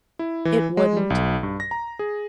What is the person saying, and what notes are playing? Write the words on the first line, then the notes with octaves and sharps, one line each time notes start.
It wouldn't.
E4
E3
G#3
G3
B1
G2
A#6
A#5
G#4